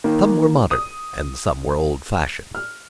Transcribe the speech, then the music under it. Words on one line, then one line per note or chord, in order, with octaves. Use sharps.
Some were modern and some were old-fashioned.
D#3 A#3
D#6
F6